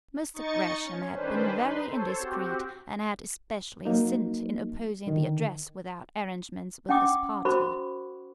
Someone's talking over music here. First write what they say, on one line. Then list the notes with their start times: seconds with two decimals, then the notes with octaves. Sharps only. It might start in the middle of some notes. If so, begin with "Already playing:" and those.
Mr. Gresham had been very indiscreet, and had especially sinned in opposing the Address without arrangements with his party.
0.34 D#4 D#5 C#6 A6 C#7
0.84 C#4
1.12 D#3 G3 C#4 D4 B4 C5
1.53 D#4 B4 C6
1.87 A4 C5 C#5
2.18 C4 F#4 G4
3.85 F#3 A#3 D#4
5.07 D3 D#3
6.89 C#4 F#5 G5 D6 D#6
7.45 F#4 A#4 C5 B5 C#6